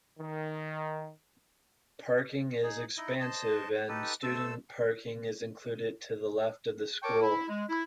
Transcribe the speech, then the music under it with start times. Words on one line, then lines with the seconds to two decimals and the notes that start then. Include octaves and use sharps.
Parking is expansive and student parking is included to the left of the school.
0.19 D#3
2.63 D#4 G#4
2.97 D#4 E4 D#5
3.20 C5 D#5 A5
3.89 D#4 G4 A4 B4
4.23 A3 A4 C5 E6
7.03 A#4 C#5 G5 A5 C#6 D6
7.20 E4
7.48 G#3
7.69 E4